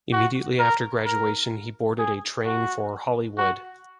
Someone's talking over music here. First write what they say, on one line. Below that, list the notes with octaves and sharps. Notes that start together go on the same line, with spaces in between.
Immediately after graduation, he boarded a train for Hollywood.
F#4
A#4
A#4
G#4
F#4
F#4